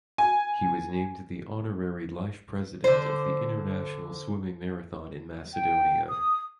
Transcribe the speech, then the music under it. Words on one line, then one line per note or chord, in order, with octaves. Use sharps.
He was named the Honorary Life President of the International Swimming Marathon in Macedonia.
G#5
D3 C5
G5
D#6